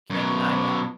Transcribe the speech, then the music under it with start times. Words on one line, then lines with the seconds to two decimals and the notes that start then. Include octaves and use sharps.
Can't deny that,
0.10 F#2 B2